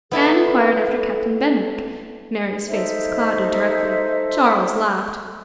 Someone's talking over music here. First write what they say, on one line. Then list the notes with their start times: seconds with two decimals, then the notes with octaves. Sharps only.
Anne enquired after Captain Benwick, Mary's face was clouded directly. Charles laughed.
0.11 B3 E4 A4 A5
2.68 D#4 A4 C5 E5